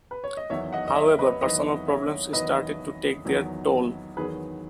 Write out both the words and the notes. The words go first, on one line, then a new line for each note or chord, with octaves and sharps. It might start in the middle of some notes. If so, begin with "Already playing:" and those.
However, personal problems started to take their toll.
B4
C#5
D#5
E2 D#3 F#3 C#5 E5
D#5 F#5
D#5
C#5 E5
B4 D#5
E2 D#3 F#3 B4 D#5
C#5 E5
E2 D#3 F#3 B4 D#5
E2 D#3 F#3
E2 D#3 F#3 G#4 B4